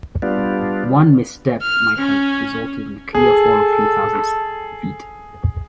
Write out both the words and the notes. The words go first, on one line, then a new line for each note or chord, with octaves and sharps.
One misstep might have resulted in a clear fall of three thousand feet.
G3 B3 D4 F4
F6
C#4
G#4 A4